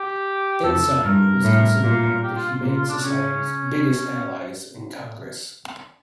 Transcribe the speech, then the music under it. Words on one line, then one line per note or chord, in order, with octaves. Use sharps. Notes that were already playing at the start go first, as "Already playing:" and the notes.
Ensign was considered one of the Humane Society's biggest allies in Congress.
Already playing: G4
F2 A4
G2 A#4
A2
A#2
G4
F4
F4
A#2
F4
D4
C#3 C#4